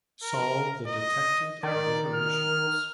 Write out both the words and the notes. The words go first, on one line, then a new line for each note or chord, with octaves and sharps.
Solve the detected alterations.
A#4
D#5
D#3 D5
F6